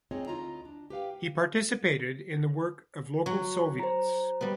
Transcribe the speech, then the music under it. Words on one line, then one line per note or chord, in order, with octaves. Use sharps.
He participated in the work of local soviets.
C4 D#4 F4 G#4 C#5 D#5
D2 E4 F4 D#5 A#5
D4
G4 B4 F5 G5
F#3 C#6
C5 A#5
G3 B3